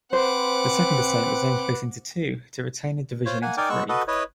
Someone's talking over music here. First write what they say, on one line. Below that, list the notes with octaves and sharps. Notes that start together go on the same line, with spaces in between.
The Second Estate was then split into two to retain the division into three.
C4 B4 C5 F#5 D6
F4 C5 C#5
A#3 F#5 G#5
D#4 A#4 D5 G5 G#5 D6
G#3 B3 C#6 E6 F#6
F#4 A4 B4 D#5
E4 B4 C#5 D#5